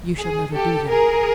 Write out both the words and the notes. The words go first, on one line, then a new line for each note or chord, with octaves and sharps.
"You shall never do that."
G#4
G4 A4
G#4 A#4